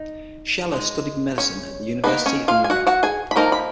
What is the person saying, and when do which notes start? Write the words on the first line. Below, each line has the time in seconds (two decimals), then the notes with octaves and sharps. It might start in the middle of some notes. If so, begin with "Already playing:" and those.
Scheler studied medicine at the University of Munich.
Already playing: D#4
0.72 G#3 D#4
1.38 C#4 C#5
2.04 D#3 A#3 B3 D#4 B4
2.26 C#4 C#5
2.48 F4 F5
2.64 G#5
2.70 F#4 F#5
2.87 F#4 F#5
3.03 G#4 G#5
3.31 B5
3.36 F3 A#3 D#4 A#4 A#5
3.52 B5